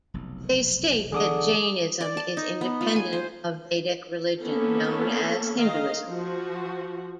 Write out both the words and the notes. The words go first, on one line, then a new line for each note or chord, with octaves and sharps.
They state that "Jainism is independent of Vedic religion, known as 'Hinduism'".
F1 B1
B1 D3 E3 B3 G#4 D6 D#6
D5
A5
D#4
B3
F4
G#5
C5
A#3 B3 C#4 A4
D#3 D#5 F5
F3 F#4